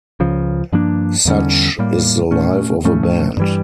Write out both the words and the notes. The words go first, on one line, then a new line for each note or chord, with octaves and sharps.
Such is the life of a band.
C#2 C#3 F3
G2 F3 A#3 D4
E2 D3 G3 C#4
A2 G3 A#3
A#2 A3 C#4
A2 F3 A3 C#4
G2 E3 G3